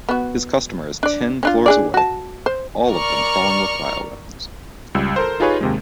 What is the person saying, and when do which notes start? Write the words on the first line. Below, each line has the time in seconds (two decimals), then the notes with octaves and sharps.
His customer is ten floors away, all of them crawling with bioweapons.
0.09 B3 F#4
1.03 D4 D5
1.43 C#4 D4 F4
1.66 D4 G#4 D5
1.94 F#4 A5
2.46 C5
2.90 A#4 D5 C#6 F6
4.95 C#2 G3 E6
5.16 A4 A#4 C5
5.40 D#4 F4 G4 G#4 B4 C#5
5.61 D#2 C3 G#3